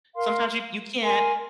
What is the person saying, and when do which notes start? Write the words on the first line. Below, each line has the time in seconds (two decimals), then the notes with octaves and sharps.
Sometimes you you can't
0.15 A#4 F5 C6
1.01 A#4 G#5 C6